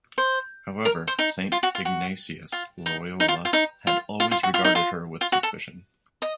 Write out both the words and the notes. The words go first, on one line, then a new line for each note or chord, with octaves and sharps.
However, Saint Ignatius Loyola had always regarded her with suspicion.
C5
A#4
C5
D#4
F4
F#4
F4
F#4
F4
D#4
D#4
F4
F4
D#4
F4
F4
F4
F#4
F4
D#4
F4
F4
F#4
A4
D#5